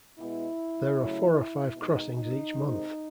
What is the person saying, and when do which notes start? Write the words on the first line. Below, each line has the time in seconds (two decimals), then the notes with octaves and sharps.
There are four or five crossings each month.
0.19 B2 G#3 B3 E4
0.98 C#3 F#3 A3
1.76 B2 G#3 B3 D#4
2.15 D#4
2.55 C3 D#3 G#3 C4